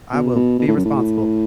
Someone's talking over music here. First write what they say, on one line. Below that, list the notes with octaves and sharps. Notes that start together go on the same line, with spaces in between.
I will be responsible,"
B2
B2
B2
A2
F#2
A2